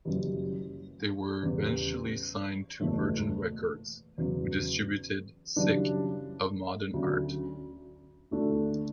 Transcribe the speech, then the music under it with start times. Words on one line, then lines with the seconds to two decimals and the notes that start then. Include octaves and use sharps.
They were eventually signed to Virgin Records, who distributed "Sick of Modern Art".
0.05 F#1 F#2 E3 G3
1.43 E2 C#3 G3
2.80 F#1 E2 B2 A3
4.18 E2 C#3 F#3
5.56 F#2 C#3 E3 G3 D4
6.94 D2 D3 F#3 C#4
8.31 D2 D3 A3 D4 A4